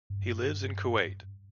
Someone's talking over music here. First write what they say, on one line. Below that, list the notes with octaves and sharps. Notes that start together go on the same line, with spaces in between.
He lives in Kuwait.
G2